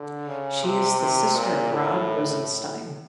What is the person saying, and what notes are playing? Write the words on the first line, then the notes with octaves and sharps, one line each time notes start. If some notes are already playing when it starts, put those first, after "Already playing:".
She is the sister of Rod Rosenstein.
Already playing: D3
C#3
C3
C3
A#2
A2
A2